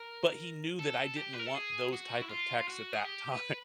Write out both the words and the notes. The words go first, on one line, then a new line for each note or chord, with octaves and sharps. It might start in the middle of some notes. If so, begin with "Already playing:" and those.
but he knew that I didn't want those type of texts at that time,
Already playing: A#4
A4
G4
B4
A#4
A4
G#4
F#4
E4
F4
F4
F#4
G#4
G4
B4